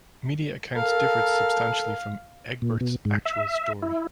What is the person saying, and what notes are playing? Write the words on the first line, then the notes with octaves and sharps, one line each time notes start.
Media accounts differed substantially from Egbert's actual story.
A4 A#4 F5
A#2
B2
G#2
E5
E4